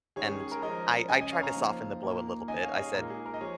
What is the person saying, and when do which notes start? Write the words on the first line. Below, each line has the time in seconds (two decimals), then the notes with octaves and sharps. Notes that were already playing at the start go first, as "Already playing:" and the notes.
And I I tried to soften the blow a little bit, I said,
0.16 D#3 G#3 C#4 G#4 C#5
0.28 G#4
0.40 G#4
0.52 A#4
0.62 F3 G#3 C#4 A#4 D#5
1.09 C#3 G#3 C#4 D#5 G#5
1.21 D#5 G#5
1.32 C#5 F5
1.43 F5 A#5
1.55 F3 A#3 D#4
2.02 A#2 A#3 D#4
2.48 D#3 C#4 D#5 G#5
2.63 C#5 F5
2.75 D#5
2.79 G#4 C#5
2.94 A#2 G#3 D#4 A#4
3.10 G#4
3.26 A#4
3.34 D#5
3.41 F3 G#4 C#5